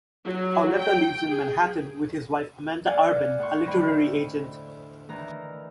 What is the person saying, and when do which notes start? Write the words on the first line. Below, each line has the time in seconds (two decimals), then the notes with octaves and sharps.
Auletta lives in Manhattan with his wife Amanda Urban, a literary agent.
0.25 F#3
0.79 G5
1.30 G#4
2.86 D5 F5 F#5 G#5 D6
3.39 A2 F#5 C6 C#6
3.66 D2 D3 C5 D#5 G5 B5
5.09 D2 D#3 E3 A#5